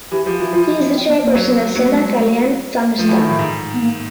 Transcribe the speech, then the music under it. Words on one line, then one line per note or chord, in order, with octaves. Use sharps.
He is the chairperson of Sena Kalyan Sangstha.
E3 G4
F3 G4
E3 F#4
F3 F4
F#4
C#4
C4
B3
A#3
F#3
F#3 A#3
A3
G#3
A3
F3 A3
E3
D#3
A2
G#2
B3
A#3